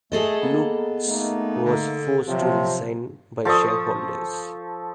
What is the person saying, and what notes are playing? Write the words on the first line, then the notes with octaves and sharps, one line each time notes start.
Loucks was forced to resign by shareholders.
A3 G#4 A4 D#5
A#3 B3
A3 A#3 D#4
D3
C3 F3 F#3
F3 A4 C#6 D#6